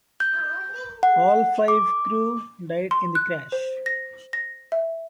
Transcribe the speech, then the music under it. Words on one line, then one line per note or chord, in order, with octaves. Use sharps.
All five crew died in the crash.
G6
F#5
D6
C6
F#6
C5
A#6
A#6
E5